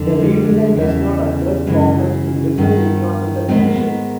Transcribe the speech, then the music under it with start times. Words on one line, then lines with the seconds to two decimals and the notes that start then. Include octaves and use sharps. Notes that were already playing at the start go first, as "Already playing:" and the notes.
The redesign does not address problems in different environmental conditions.
Already playing: F2 D3
0.08 D4
0.20 G#3
0.31 G3
0.43 G#3
0.54 A3
0.65 G#3
0.76 E2 C#3 E3
1.66 F#2 C#3 E3 G#3
2.58 G2 D#3 B3
3.48 G#2 D#3 C4
3.57 B3
3.67 A#3
3.75 B3